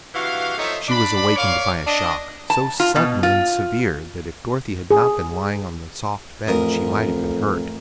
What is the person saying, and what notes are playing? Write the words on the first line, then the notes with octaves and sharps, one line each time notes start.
She was awakened by a shock, so sudden and severe that if Dorothy had not been lying on the soft bed she might have been hurt.
G2 E3 F#4 F5
F3 A3 D#4 F4 C#5 E5
D4 D5 B5
A#4 C#5 D5 F5
D4 D#5
A5
F4
B2
F4
G#4
A1 F2 A#4 D#6